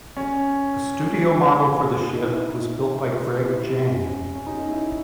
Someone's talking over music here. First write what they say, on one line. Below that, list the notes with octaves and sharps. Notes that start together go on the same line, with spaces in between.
The studio model for the ship was built by Greg Jein.
C#4
D#4
E4
E4
D#4
E4
C#4
C#4
D#4
D#4
E4